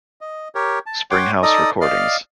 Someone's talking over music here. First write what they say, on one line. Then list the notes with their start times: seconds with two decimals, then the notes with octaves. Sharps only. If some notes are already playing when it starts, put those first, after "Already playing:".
Spring House Recordings.
0.21 D#5
0.55 G4 A#4 C#5
0.86 A5
1.11 C#5 F#5 G5 C6 D6
1.43 D#4 A4 D5 D#5 A#5 D#6
1.81 D5 D#5 F5 F6